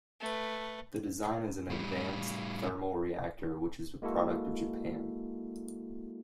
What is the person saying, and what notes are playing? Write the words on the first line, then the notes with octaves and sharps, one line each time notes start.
The design is an Advanced Thermal Reactor, which is a product of Japan.
A3 B4
A2 G3
G#3 A#3 E4 F#4 A4